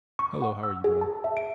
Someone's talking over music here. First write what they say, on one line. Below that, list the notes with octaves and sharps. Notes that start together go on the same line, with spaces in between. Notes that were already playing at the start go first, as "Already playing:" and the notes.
Hello, how are you doing?
C#6
F#5
E6
G#4
A5
E5
D7